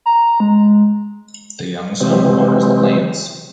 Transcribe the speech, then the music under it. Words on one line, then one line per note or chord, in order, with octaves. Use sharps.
The young son waters the plants.
A#5
G#3
C3 E3 F#3 G#3 C4